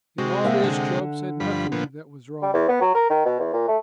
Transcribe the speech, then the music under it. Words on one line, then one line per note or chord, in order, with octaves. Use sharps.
In all this Job said nothing that was wrong.
C3 G#3 F#4
A#3 E5 F#5
D3 F#5
G2 F3 B5
A#2 F3 B3
G3
E2
B3
F#3
A#4
D#3
B2
E2
A#2
A3